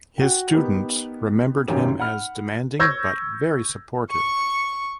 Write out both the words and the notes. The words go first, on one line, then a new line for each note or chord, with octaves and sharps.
His students remembered him as "demanding but very supportive".
F#4 G5
B3 D#4 G4 A#4
G#1 F#2 C#4 G4
F#5 B5 F6
C#6 E6 G6 G#6 A#6
C#6